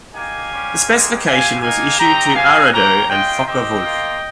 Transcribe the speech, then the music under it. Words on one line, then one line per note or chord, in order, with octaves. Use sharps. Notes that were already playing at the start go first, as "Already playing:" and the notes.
The specification was issued to Arado and Focke-Wulf.
A#3 D#4 G4 F5 G#5
G3 C#4 G4
G#3 C4 D#4 G4
C4 G4 F5 G#5
A#3 D#4 G4 F5 G#5
C4 D#4 G4 G5 A#5
C4 D#4 G4 F5 G#5
A#3 C#4 G4 G5 A#5
G#3 C#4 F4 D#5 G5
C4 G4 D#5 G5
A#3 F4